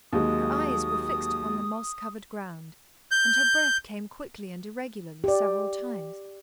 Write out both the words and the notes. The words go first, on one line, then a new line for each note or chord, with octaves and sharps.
Her eyes were fixed upon the moss-covered ground, and her breath came quickly and irregularly several times.
D#2 F#3 G#3 D#6
G6
G4 D5